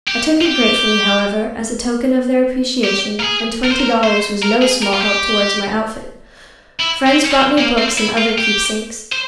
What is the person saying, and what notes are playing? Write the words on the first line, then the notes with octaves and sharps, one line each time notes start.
I took it gratefully, however, as a token of their appreciation, and twenty dollars was no small help toward my outfit. Friends brought me books and other keepsakes.
G4
F4
G4
G4
A#4
G#4
A#4
C5
A#4
C5
A#4
G#4
A#4
F4
G4
E4
C4
C#4
C4
A#3
C4
E4
F4
G4
C5